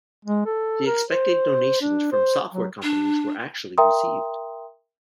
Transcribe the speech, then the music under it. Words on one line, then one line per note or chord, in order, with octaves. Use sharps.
The expected donations from software companies were actually received.
G#3
A4
A#4
C5
D4
C5
F#3
D4
A#4 E5 G5 A#5 C6 D#6